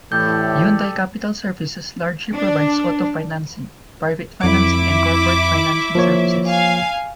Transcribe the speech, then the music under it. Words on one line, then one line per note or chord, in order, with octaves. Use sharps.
Hyundai Capital Services largely provides auto financing, private financing and corporate financing services.
A2 E3 G4 A4 D5 G6
D4
F2 E4 E5 D6
F3 A#3 C#5
F5 G#5